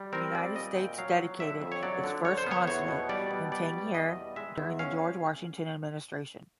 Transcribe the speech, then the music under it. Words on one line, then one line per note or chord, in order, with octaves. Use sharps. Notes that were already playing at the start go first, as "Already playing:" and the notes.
The United States dedicated its first consulate in Tangier during the George Washington administration.
Already playing: G3
C4 A#4
G3 D5
A#2 D#5
A#2 G5
F#3 F5
F#3
D3 E5
F2
C#5
F#3 D5
D3
D3 C#5
C5
B3 C#5
E2 C#5
B2
G3 D5
B2
G3 D5
B2
E2 D#5
G3
G#3 E5
E2
C#4 F5